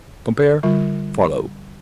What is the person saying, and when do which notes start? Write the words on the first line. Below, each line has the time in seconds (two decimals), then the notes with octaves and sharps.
Compare FOLLOW.
0.63 D3 G3 F4